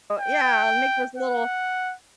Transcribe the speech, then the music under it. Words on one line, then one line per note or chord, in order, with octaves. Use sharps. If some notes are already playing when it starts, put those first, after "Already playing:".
Yeah, and make those little
G5
F#5